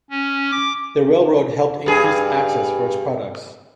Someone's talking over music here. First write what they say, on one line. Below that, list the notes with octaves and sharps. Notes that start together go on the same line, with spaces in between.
The railroad helped increase access for its products.
C#4
D6
G2 G#4